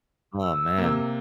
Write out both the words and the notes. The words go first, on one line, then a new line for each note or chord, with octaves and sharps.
Oh man.
E6
C3 A#3